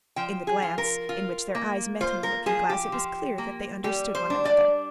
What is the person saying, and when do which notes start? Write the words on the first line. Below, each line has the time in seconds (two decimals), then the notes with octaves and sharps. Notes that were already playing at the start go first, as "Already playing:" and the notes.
In the glance, in which their eyes met in the looking-glass, it was clear that they understood one another.
0.16 F3 G5
0.47 G#4
0.62 F4
0.78 A#4
1.09 F4
1.55 A#3
2.01 F4 C5
2.23 A#4
2.46 F3 G#4
2.69 G4
2.92 F3
3.38 A#3
3.84 G3 G4
4.15 C5
4.30 D4
4.45 D5